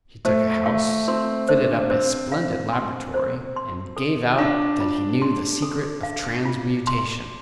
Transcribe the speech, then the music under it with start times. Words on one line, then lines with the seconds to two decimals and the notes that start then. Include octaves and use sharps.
He took a house, fitted up a splendid laboratory, and gave out that he knew the secret of transmutation.
0.25 A3 C5
0.66 A3 F5
1.08 C4 C6
1.49 D4 C5
1.90 C4 C5
2.32 F5
2.73 C6
3.14 C5
3.56 C6
3.97 A4
4.38 D4 F5
4.80 F4
5.22 C6
5.62 A4
6.03 F5
6.45 F4
6.87 C6